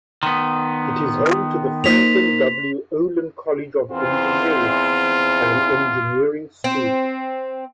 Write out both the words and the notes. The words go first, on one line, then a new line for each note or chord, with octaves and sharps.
It is home to the Franklin W. Olin College of Engineering, an engineering school.
D#3 B3 C6
A#3 D#4 C5 B6 F7
E2 C4 F4 C5
C4